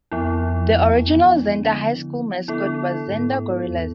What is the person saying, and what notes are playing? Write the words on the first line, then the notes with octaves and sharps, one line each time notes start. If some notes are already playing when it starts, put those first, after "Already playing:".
The original Zenda High School mascot was Zenda Gorillas.
F2 F3 B3 E4
F2
E2
F2
E3
D3
D3 B3 E4 A4
G#2
E2